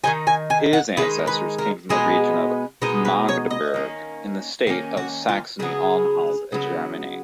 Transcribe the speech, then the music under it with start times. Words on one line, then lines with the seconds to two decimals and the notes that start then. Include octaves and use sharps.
His ancestors came from the region of Magdeburg in the state of Saxony-Anhalt, Germany.
0.04 D#3 G#3 D#4 G#5
0.27 G#5
0.50 G#5
0.73 F#5
0.97 D#3 G#3 D#4 B4
1.27 B4
1.58 A#4
1.89 B2 G#3 B3 D#4 G#4
2.82 B2 G#3 B3 D#4 A#4
3.05 B4
3.29 C#5
3.51 D#5
3.74 D#3 A#3 C#4
4.67 D#3 A#3 C#4 F5
4.97 F#4
5.29 F4
5.59 C#3 F#3 B3 G#4
6.52 C#3 F#3 B3